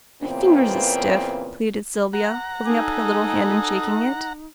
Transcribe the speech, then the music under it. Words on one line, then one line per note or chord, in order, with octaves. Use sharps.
'My fingers is stiff,' pleaded Sylvia, holding up her little hand and shaking it.
A#2 C#3 E3 B3 C4
F#5 A#5
D#4 A4 G#5 D#6